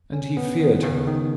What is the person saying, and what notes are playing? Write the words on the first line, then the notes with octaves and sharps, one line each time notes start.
And he feared her.
C#4
B3
D#3
C#3
D#3